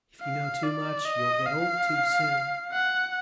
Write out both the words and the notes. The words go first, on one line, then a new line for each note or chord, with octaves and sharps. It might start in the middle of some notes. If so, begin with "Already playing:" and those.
"If you know too much, you'll get old too soon."
F5
D5
D#5
F5
F#5